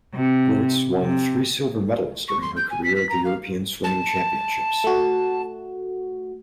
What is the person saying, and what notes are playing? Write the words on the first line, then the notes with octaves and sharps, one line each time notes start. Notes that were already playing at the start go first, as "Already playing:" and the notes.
Geurts won three silver medals during her career at the European Swimming Championships.
C3
C3
C#6
C6
G6
G#5
B6
B6
A#5
F5
A5
A3 F#4